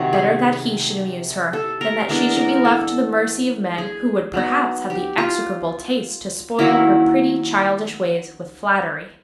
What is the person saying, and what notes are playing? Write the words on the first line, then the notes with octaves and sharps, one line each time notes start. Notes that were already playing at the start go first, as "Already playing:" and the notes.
Better that he should amuse her than that she should be left to the mercy of men who would perhaps have the execrable taste to spoil her pretty childish ways with flattery.
Already playing: C3 D#3 F#3
G#4
A4
A#4
E3 G#3 B3 D4 A#4
A#4
A4
G#4
F#3 B3 D#4
G4
F4
D#3 F#3 A#3 C#4 E4